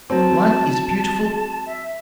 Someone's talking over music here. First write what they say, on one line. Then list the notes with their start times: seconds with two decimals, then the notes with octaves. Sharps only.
Life is beautiful.
0.10 F#3 C4 A5
1.66 E5